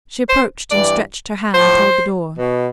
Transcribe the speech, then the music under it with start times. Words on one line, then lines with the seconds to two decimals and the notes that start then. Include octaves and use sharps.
She approached, and stretched her hand toward the door.
0.29 C5
0.71 G2 E3 D5
1.54 A2 F3 C5
2.38 B2